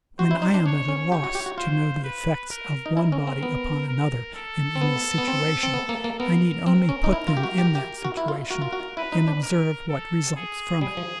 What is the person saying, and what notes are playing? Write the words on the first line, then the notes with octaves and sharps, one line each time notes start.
When I am at a loss to know the effects of one body upon another in any situation, I need only put them in that situation, and observe what results from it.
F#4 C5
E4
D#4
D4
D4 C#5
C#4
G4 C#5
F#4
G4
F#4
F4 C5
B4
A#4
D#4
E4 A#4
C#4
C4
B3
A#4
A4
C4
B3
B3
C4
C4
B3
A#3
A#3
B3 A#4
C4 A#4
C#4
D#4
E4
F4
G4
F#4
G4
G4
F#4
E4
F4
F#4 A#4
F4
F#4
E4 B4
D#4
D4
A#4
A4
G#4
G3 G#4
F3